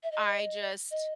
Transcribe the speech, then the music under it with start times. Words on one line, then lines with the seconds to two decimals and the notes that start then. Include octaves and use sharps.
I just
0.03 E5
0.12 D#5
0.91 D#5